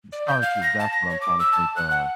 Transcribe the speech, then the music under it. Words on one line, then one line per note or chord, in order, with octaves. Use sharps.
starches, that's what I'm trying to think of.
D5
G6
F5
A#6
A5
A#6
C#5
D6
E6
A5
F#6
F#5